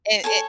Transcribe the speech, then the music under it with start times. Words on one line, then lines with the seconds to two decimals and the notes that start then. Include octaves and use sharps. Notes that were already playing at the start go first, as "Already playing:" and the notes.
and and
0.24 A4 C#5 G#5